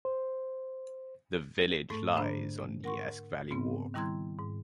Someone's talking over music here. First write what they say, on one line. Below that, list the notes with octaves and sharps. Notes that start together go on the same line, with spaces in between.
The village lies on the Esk Valley Walk.
C5
G#2 A3 A4 C#6
G#2 D3 D4 C5 A#5 B5
A#4 F#5 C6 C#6
G#2 C#3 B3 C4
D#3 G3 E4 A#5 C6 G#6
G#2